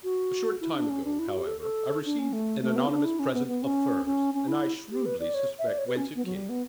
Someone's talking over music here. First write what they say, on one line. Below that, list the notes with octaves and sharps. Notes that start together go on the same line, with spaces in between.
A short time ago, however, I received an anonymous present of furs, and I shrewdly suspect whence it came.
F#4
E4
D4
C#4
D4
E4
F#4
G4
A4
A4
D4
C#4
A3
A3
B3
E4
D4
E4
C#4
B3
B3
C#4
C#4
C#4
E4
G4
B4
D5
C#5
E5
D5
C#5
B4
C#4
B3
F#3
G3
B3